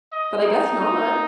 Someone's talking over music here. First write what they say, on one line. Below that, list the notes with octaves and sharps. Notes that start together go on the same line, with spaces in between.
but I guess not.
D#5
D#4
D#4